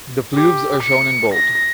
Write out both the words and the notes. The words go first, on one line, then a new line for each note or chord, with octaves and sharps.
The "fleuves" are shown in bold.
G4
C#7
A#6